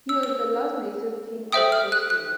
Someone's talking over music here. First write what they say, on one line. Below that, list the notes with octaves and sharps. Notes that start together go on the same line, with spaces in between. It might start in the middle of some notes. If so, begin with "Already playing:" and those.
He was the last native king of Croatia.
E6
E6
A4 C5 E5 G5 D#6
F6
F#6
F#6